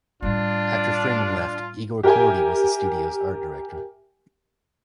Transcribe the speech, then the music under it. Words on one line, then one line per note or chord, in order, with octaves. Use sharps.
After Freeman left, Igor Kordey was the studio's art director.
A2 G3 D4 F4
G4 A#4 E5 G5 G#5